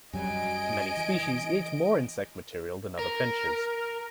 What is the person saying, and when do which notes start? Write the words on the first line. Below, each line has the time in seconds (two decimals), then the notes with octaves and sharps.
Many species eat more insect material than other finches.
0.13 F#2 F#3 G3 D#5 G#5 D7
0.97 E3
2.99 A#4